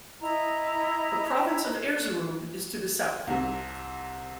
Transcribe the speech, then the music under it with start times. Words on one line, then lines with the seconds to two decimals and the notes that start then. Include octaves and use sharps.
The province of Erzurum is to the south.
0.21 E4 D#5 A#5
3.27 C2 C3